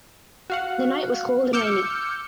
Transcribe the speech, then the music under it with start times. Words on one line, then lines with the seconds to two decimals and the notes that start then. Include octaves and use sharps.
The night was cold and rainy.
0.50 F#4 F5 F#5
1.53 D6 E6 F6 G6 C#7